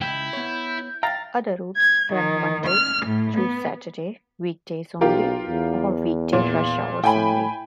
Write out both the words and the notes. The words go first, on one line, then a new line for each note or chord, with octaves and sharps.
Other routes run Monday through Saturday, weekdays only, or weekday rush hours only.
C#2 F3 E4 G5 G6
B3 C#5
F5 G5 A#5 A6
G#6
D#3
F6
A2
B3
B1 F4 G4 A#4
E2
A#2
A2 G5 G#5 B5